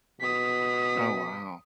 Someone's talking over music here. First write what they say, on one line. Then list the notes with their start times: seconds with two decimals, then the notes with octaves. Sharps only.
Oh, wow.
0.21 B2 D#6 B6